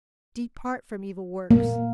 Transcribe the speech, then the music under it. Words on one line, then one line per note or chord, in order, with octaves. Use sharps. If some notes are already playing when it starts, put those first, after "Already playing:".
Depart from evil works.
A#3